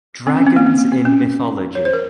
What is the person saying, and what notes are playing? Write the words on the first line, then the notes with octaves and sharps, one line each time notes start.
Dragons in mythology.
C4
C#4
C4
A#3
C4
A#3
C4
C#4
C#5
C5
A#4